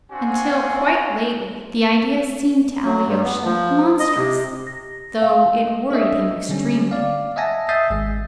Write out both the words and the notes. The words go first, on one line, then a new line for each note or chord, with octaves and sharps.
Until quite lately the idea seemed to Alyosha monstrous, though it worried him extremely.
C4 D4 F#4 F5 G#5 C6
F#3
G2
B3
F3
D#5
C3
A#6
F5
D4 A4 D#5 E5
D3 G3 C4 C#4
D5 F5
D#5 E5 F#5 G#5 A5 A#6
E5 G#5 D#6 G6 A6 C7
G#1 G#3